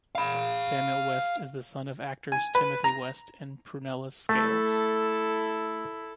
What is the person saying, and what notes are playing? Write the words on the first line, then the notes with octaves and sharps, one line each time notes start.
Samuel West is the son of actors Timothy West and Prunella Scales.
F5 B5
G#5
B4
A#5
A3 E4 A4